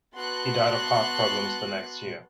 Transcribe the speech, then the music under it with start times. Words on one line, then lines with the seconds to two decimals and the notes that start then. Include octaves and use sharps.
He died of heart problems the next year.
0.14 B3 F#4 A5 C6 F#6